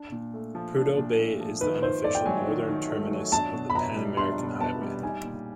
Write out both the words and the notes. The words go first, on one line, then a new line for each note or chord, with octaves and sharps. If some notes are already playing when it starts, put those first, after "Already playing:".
Prudhoe Bay is the unofficial northern terminus of the Pan-American Highway.
Already playing: D4
A#2
A3
F3
D4
A#2
A3
F3
D#3 B4
D#3 C5
A3 D5
G5
F#3 G#5
D#3
D#3
A3
F#3
D4 A5
B2
B5
B3 A#5
G3
D4 C6
B2
B3 A5
G3
D#4 G#5
A#2